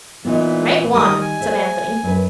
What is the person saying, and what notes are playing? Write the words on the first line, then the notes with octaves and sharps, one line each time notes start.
"Make one," said Anthony.
A#2 E3 B3 D#4
D#3 G3 A#4 D#6
G#5
G#4 C5 E5
F#2 B4